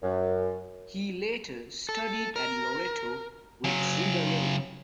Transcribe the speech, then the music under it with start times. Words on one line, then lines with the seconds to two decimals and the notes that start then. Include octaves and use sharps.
He later studied at Loreto with Zingarelli.
0.03 F#2
1.89 A4
2.36 A#4
3.64 C#3 F#3